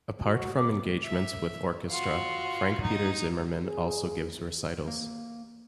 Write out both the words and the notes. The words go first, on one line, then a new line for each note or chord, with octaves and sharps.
Apart from engagements with orchestra, Frank Peter Zimmermann also gives recitals.
F#4
D6
E5
F4 F#4
D#4
G#4
A#3